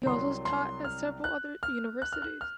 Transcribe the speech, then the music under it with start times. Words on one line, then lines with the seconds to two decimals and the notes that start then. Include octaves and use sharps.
He also taught at several other universities.
0.06 C2 C3 F#3 C6
0.45 C6
0.84 F6
1.24 F#6
1.63 F6
2.02 F#6
2.13 F6
2.22 F#6
2.41 F6